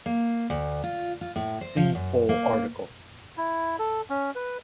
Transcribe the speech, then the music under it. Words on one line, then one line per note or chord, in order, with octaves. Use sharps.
See full article.
A#3
D2
F4
F4
A2
C5
F3
F#2
A#3
E4
A4
C#4
B4